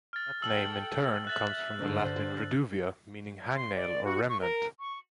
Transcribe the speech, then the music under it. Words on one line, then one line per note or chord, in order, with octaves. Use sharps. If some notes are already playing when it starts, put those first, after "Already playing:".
That name, in turn, comes from the Latin "reduvia", meaning "hangnail" or "remnant".
F6 A6
A4 G5 E6 F#7
E5 F#6 A6 F#7
G2 D3 C5
C6
D5
F#4
C#6
A#4
C#6